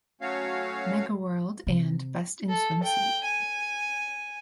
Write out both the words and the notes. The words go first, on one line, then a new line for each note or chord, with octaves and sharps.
Megaworld and Best in Swimsuit.
F#3 A3 C#4 F#4 C#5 F5
C3
A4
G5
G#5